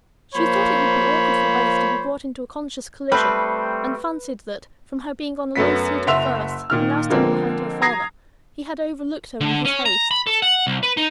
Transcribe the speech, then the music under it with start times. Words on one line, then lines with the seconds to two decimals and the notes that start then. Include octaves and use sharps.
She thought it would be awkward for both to be brought into conscious collision; and fancied that, from her being on a low seat at first, and now standing behind her father, he had overlooked her in his haste.
0.35 F3 A#3 C5 C#5 B5
3.12 G3 A3 C4 B4
5.55 F#2 A3 B3 B6
6.07 F#1 E5 F#5 C6 E6 F7
6.70 A#2 D#3 F6
7.10 D3 F3 G#3 A#3 C4
7.82 A#5 D#6 G#6 A#6 C7
9.41 D3
9.65 C#4
9.86 A#5
10.11 B5
10.27 A4
10.42 F#5
10.67 C2
10.83 B4
10.97 D#4